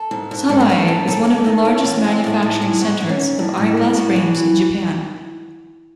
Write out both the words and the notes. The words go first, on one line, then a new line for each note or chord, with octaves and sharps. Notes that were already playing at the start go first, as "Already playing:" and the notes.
Sabae is one of the largest manufacturing centers of eyeglass frames in Japan.
Already playing: A4
G#2
G#2
G#2 A4
G#4
F#3 A4
G#2
D#2 A4
G#4
G#3 A4
D#3
E2 C#4
E2 C#4
A3 C4
A2
A2 D#4
G#3 G#4
G#2 F#4
G#2
C#4
G#2
A2
A2
G#3
A2 F#4
E3
E3